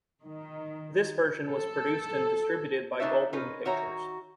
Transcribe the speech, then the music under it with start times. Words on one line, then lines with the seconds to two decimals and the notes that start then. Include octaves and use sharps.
This version was produced and distributed by Goldwyn Pictures.
0.23 D#3
1.47 A4
3.00 C#3 D4 D#4 B4 C#5 E5
3.33 C#4 D#4 F4 A#4 B4
3.65 D#3 F#4 C#5 E5 A#5